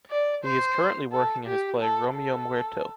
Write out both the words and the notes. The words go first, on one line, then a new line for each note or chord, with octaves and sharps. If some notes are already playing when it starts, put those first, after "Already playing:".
He is currently working in his play ‘Romeo Muerto’.
D5
C5
A4
G4
A4
A4